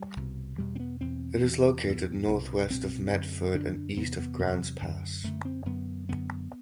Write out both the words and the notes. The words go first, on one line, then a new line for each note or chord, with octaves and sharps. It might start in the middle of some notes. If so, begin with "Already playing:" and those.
It is located northwest of Medford and east of Grants Pass.
Already playing: G3
C2 B2
E2 B2 G3
C4
B3
E2 B2 C4
E2 B2
E2 B2
C2 B2
C2 B2 C4
F#2 D3
F#2 D3 D4
E2 C3 B3
B3
E2 C3 F#3
F#2 D3
F#2 D3 A3
C4
F#2 D3 B3
F#2 D3 B3